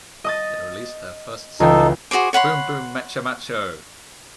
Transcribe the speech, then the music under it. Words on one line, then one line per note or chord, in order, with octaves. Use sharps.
They released their first single, Boom Boom Meccha Maccho!
D#5 D#6 A6
C#2 E3 D#4 A4 G5
F#4 G#4 C5 D6
C#5 F#5 B5 C6